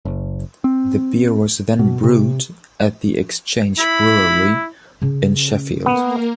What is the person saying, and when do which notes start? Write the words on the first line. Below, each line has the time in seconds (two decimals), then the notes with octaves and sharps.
The beer was then brewed at the Exchange Brewery in Sheffield.
0.05 F#1
0.64 C4
1.79 B2
2.03 C3
3.79 E4 B5
5.02 C#3 C#4
5.86 A#3 B3 A#4